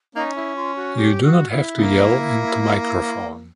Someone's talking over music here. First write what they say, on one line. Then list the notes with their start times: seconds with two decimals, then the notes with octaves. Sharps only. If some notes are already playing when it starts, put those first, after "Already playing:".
You do not have to yell into microphone.
0.15 A#3 C#4 D#4
0.35 E4
0.56 F4
0.76 F#4
0.96 G4
1.23 F#4
1.50 E4
1.77 C#3 A#3